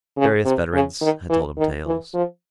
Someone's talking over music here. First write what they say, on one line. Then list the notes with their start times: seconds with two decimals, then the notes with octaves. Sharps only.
Various veterans had told him tales.
0.17 C#3
0.45 C3
0.73 C#3
1.01 D#3
1.29 E3
1.58 D#3
1.86 E3
2.14 F3